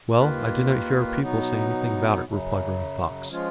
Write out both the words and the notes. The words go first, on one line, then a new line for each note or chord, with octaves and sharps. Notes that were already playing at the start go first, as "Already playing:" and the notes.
"Well, I did not hear our people say anything about it," replied Running Fox.
D#2 D#3 A#3 F4 B4
B2 F#3 B3 D#4
F#2 C#3 F#3
F3 G#3 C#4 F4